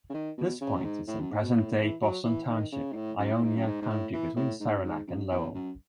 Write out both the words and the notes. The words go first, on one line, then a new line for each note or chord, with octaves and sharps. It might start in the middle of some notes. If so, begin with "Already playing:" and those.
This point is in present-day Boston Township, Ionia County between Saranac and Lowell.
C#3
D#3
B2
C#3
F#2
G#2
A2
F#2
G#2
B2
A2
E3
F#3
E3
D#3
C#3
G#2
A2
F#2
A2
G#2
F#2
G#2
G#2
A2
E3
A2
G#2
F#2
G#2
F#2
E2
F#2